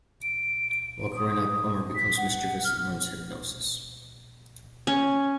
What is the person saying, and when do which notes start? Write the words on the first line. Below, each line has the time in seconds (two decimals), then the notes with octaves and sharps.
While growing up, Omar becomes mischievous and learns hypnosis.
0.23 D7
1.17 D#6
1.95 B6
2.17 F#5
2.64 F6
4.87 C#4